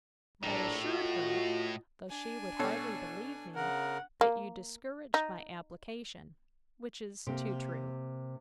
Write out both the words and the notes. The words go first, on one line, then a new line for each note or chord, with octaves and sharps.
But I assured her, though she would hardly believe me, that you discouraged my application: which is too true!
A#1 A2 D4 A#5
F4 F#4 D#5
D4 G#5
B2 A4 C#5
C#3 A#4 F#5
A#3
D#4
C3 A#3